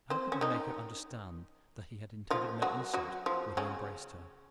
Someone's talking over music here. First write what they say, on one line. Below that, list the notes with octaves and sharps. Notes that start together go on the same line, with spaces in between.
How could he make her understand that he had intended no insult when he embraced her?
C4 C5
C#4
D#3 D#4
F3 F4
F#3 F#4
F#3 F#4
F3 F4
C#3 C#4